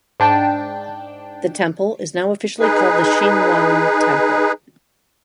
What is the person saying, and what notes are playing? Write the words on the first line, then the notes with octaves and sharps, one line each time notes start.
The temple is now officially called the Shing Wong Temple.
G#2 D4 G5 A5
D#4 G#4 B4